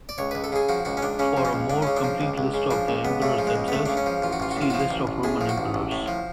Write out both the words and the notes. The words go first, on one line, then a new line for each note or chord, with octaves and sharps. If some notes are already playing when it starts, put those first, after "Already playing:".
For a more complete list of the Emperors themselves, see List of Roman Emperors.
D5
C#2 C#5
C#2 B4
A4
C#3 G#4
F3 F#4
C#2 F#4
C#4
C#2 D4
C#3 C#4
F3
C#4
C#2
C#2 D4
C#3 C#4
D4
F3
C#2
C#2
C#3
F3 D4
C#2
C#2 B3
C#3 A3
F3
G#3
C#2
B3
C#2 A3
C#3 D4
C#4
F3
A1 F4
F#4
A1 F4
F#4
A2 F4
F3 F#4
F4
A1
A1
A2 G#4
F3
F#4
A1
A1
A2
F3